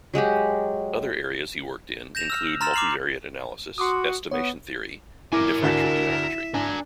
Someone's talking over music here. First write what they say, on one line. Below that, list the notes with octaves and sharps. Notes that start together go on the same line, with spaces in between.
Other areas he worked in include multivariate analysis, estimation theory, and differential geometry.
F#3 G#3 F#4 G4
G6 A#6 E7 F7
E6 F6
A#5 C6 F6 A6 E7
D6 F6 C7 F7 F#7
F#4 C6 D6 D#6
B3 C#5
E4 A#4 G#5 D6
D2 D4 F#4 E5
D4 A#4 G#5